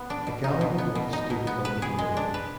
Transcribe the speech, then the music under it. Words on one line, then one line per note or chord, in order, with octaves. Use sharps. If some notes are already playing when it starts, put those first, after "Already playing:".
A gallery once stood above the doorway.
Already playing: B3
D4
B2
D#4
B2
B3
B2
D#4
B2
B3
B4
G#4
G#3
D4
B4